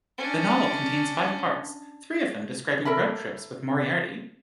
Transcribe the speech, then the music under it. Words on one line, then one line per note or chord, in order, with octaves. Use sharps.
The novel contains five parts, three of them describing road trips with Moriarty.
C#4 D4
A4 A#4 E5 B5